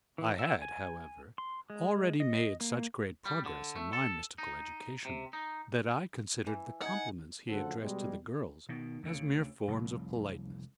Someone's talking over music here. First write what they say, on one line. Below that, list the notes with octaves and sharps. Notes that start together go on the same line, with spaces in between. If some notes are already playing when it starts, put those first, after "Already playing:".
I had, however, already made such great progress in my mystical education, that I considered the compliments he addressed to the girls as mere forms of politeness.
E3
E5
G#5
C6
G#3
D#5
A#3
G3
D3
A3
A4
D#4
C3
D#4
E3
D#4 F#5 G#5
D2 C#3 F3 A4 C5 F#5
B2 G3 G#3
B2 D#3
D2 C#3
F1 C2